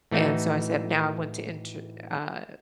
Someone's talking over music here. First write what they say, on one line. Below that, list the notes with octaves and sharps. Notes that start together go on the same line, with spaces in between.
and so I said, “Now I want to enter “uh,
A2 E3 A3 D#4 F#4